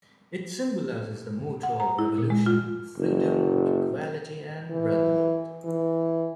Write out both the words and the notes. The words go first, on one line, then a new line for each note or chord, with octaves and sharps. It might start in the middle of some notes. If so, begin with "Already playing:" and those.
It symbolizes the motto of the Revolution: "Freedom", "Equality" and "Brotherhood".
F#5
A#5
E4
A#2
G#3
F4
F#1
E3
E3